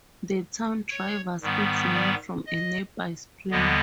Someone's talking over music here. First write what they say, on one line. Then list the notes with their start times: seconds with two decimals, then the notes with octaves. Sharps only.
The town derives its name from a nearby spring.
0.90 C#5
1.41 G#2 D#3 G3 B3
1.94 D5
2.46 D#5
3.51 D#2 D3 G3 B3 D#5